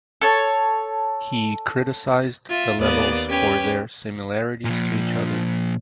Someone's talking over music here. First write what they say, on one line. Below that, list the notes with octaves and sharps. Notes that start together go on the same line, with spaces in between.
He criticized the levels for their similarities to each other.
A4 C#5
F4 E5
D#2 A#3 B3 D5 D#6
C#4 G4 B4
A#2 F3